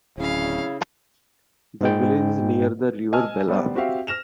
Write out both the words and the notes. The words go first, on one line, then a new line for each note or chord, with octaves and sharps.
The village is near the River Belah.
D1 C#3 C#4 E4 F5
G#2 G#3 G5
D#5 G#5 A5 E6 F6
G3 B3 C5
C4 F#4 G4 E5 F5
F6 A#6 E7 F7